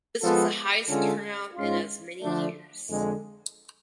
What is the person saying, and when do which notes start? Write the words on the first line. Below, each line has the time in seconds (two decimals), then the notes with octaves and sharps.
This was the highest turnout in as many years.
0.21 F3 G#3 B3 F4 A4
0.89 D3 G#3 C#4 F4 A4
1.55 G#2 G#3 C#4 F4
2.21 D3 F3 A3 D4
2.89 F2 D3 G#3